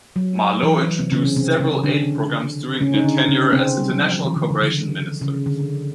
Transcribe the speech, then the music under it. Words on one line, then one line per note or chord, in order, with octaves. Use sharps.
Marleau introduced several aid programs during her tenure as International Cooperation Minister.
F#3
E3
F#3
C3 C4
C#3 C#4
C3 C4
C3 C4
C#3 C#4
D3 D4
C#3 C#4
D#4
D3 D4
C#3 C#4
C3 C4
G3
F#3
F3
D#3
E3
D3
C#3
D3
C#3
D3